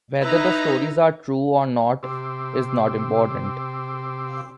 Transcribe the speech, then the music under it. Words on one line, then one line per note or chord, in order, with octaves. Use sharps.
Whether the stories are true or not is not important.
D#4 E4 B4 A#5
C3 G4 C6 D6 E6